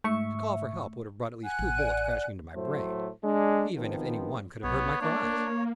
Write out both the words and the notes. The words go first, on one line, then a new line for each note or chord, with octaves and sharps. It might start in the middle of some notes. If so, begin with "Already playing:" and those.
To call for help would have brought at least two bullets crashing into my brain, even if any one could have heard my cries.
G#2 A3 E5 C#6
F#5 G#5 F#6
A1
D5
A2 F#3 A3 C5
G#3 D4
G#1 D#3 F3 B3 C4
B1 B3 C#5
A#3 D4